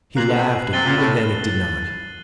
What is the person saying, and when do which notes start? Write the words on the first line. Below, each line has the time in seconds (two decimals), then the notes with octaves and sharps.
He laughed, and even then it did not.
0.16 A#2 A#3 F#6 C7 F#7
0.28 D3
0.35 C3
0.72 C3 A6 D#7 G7
0.85 A#2
0.98 A2